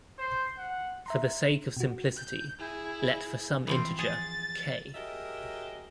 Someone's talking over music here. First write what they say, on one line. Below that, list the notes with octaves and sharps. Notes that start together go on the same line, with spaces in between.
For the sake of simplicity, let for some integer "k".
C5
F#5
E5 A#5 C6
B2 F#4
G6
E4 G#4
E3 F3 C4
G#4 A6
F#3 G4 G#4 A#4 D#5 E5